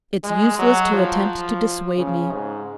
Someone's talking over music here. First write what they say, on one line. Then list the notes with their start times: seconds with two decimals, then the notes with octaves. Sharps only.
'It's useless to attempt to dissuade me.'
0.23 G#3
0.58 F#3
0.92 F3
1.97 C#3
2.32 G#2